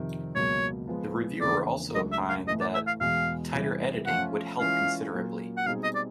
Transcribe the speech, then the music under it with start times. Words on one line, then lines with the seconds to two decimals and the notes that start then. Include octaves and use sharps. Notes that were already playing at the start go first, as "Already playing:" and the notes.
The reviewer also opined that "Tighter editing would help considerably".
Already playing: F2 C3 D#3
0.35 C#2 B2 F#3 A#3 C#5
0.88 F3 G#3 B3
1.41 E2 C#3 F3 A#3 D4 D5
1.94 C#2 C#3 F#3 A3 D4 D#5
2.12 E5
2.29 F5
2.47 A2 E3 A3 D#5
2.61 D5
2.74 E5
2.87 F5
3.00 E2 B2 G#3 F5
3.54 C3 E3 G3 B3
4.06 F3 A3 C#4 F4 F#5
4.60 E3 G#3 C#4 F4 F5
5.13 A#2 F#3 A#3
5.57 F#5
5.66 B2 G3 C4 D#4 G#4 F5
5.83 D#5
5.95 D5